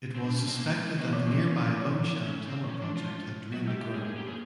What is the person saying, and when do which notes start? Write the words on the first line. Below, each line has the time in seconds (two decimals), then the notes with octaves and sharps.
It was suspected that the nearby Lung Shan Tunnel Project had drained the groundwater.
0.15 C4
0.25 D4
0.36 C#4
0.47 C4
0.57 A#3
0.71 G#3
0.85 G#3
0.99 E3 A#3
1.13 F3 B3
1.27 E3 C4
1.42 C#4
1.77 F3
1.84 E3
2.27 C#4
2.47 C4
2.64 E3
2.69 F3 C#4
2.83 D4
2.97 F4
3.53 F#3 F#4
3.67 G3 G4
3.81 G#3 G4
3.95 A#3 G#4
4.06 G#4
4.17 G4
4.27 A#3 G#4